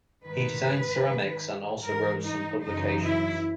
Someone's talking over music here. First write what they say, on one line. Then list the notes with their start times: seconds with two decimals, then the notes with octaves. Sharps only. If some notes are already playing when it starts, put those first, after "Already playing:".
He designed ceramics and also wrote some publications.
0.25 G#2 D#3 B4
1.05 G#2 D#3
1.83 G#2 E3 A#4
2.24 D#4
2.62 F#2 C#3 E3 D#4
3.03 E4